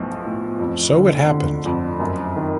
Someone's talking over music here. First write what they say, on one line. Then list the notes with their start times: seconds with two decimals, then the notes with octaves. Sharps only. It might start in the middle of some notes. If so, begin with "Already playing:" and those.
So it happened.
Already playing: B1 A2 F3
0.25 A2
0.59 F2
0.95 D3
1.29 D3
1.65 F2
2.00 F#2
2.36 D#3